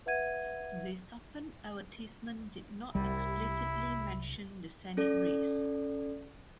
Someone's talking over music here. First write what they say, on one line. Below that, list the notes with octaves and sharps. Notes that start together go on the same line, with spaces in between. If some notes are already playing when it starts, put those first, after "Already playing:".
The Suppan advertisement did not explicitly mention the Senate race.
B4 E5 F#5 G#6 D#7
C2 G3 E4
C#4 A4 D5